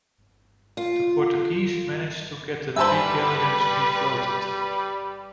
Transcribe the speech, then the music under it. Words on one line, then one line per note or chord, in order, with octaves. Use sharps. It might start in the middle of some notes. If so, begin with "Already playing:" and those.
The Portuguese managed to get the three galleons refloated.
F4
G2 G3 B4 C5 E5 G#5 A5